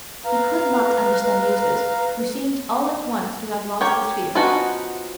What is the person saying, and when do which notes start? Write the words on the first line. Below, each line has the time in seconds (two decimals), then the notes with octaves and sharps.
He could not understand Eustace, who seemed all at once to have lost his fear.
0.25 B4 F5 A#5
3.81 G4 A#4 C#5 G5
4.35 F3 B3 C#4 D#4 F#4